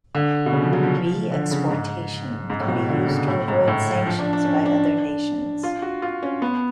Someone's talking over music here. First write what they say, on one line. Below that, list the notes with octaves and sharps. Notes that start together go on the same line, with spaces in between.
Re-exportation can be used to avoid sanctions by other nations.
D3
B2
C#3
F3
F#3
F3
D3
C#3
G#2
G#2
A2
B2
D3
C#3
A2
G#2
A2
F3
D4
D4
C#4
D4
F4
F#4
F4
C#4
B3